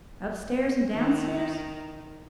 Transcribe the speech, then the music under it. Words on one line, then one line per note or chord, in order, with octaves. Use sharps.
Upstairs, and downstairs.
D#3